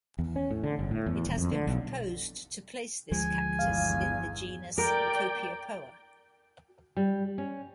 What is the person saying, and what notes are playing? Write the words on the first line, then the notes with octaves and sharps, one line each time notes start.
It has been proposed to place this cactus in the genus "Copiapoa".
E2
C#4
A2
D3
G1
A2
E2
D#1
F2
D3
B1
D2 F3 G#3 G#5
G1 E2 F5
A#4 D5 G5
G3
C#4